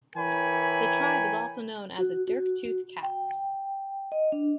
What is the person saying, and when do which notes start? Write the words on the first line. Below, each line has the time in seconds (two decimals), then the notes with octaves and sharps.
The tribe is also known as the "dirk-toothed cats".
0.16 E3 A#4 C#5 G5 G#5 B5
1.98 F#4
2.28 F#4
3.03 G5
4.12 D#5
4.32 D4